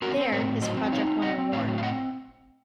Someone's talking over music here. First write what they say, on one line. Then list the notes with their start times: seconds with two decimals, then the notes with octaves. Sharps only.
There his project won an award.
0.02 C4 F#4 A#4
0.17 C4 C5
0.32 A2 A#4 C#5
0.47 A2
0.62 F#3 C5 D#5
0.77 C4
0.92 D#4 C#5 F5
1.07 C4
1.22 C4 D#5 F#5
1.38 C4
1.52 A2 C#5 F5
1.68 F#3
1.78 F5
1.83 C4 D#5 F#5